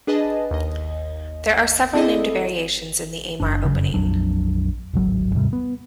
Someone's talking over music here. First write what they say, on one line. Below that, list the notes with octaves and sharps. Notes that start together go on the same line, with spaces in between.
There are several named variations in the Amar Opening.
D4 G#4 B4 D#5 A5
D#2 D#5
C4 E4 G#4 A4 D5 D#5
F#1 D4
F1 F#2 C#3
A#1 F2 F#3 D4
D1 G#1 F#3
D#2 G#2 C3 G3
B3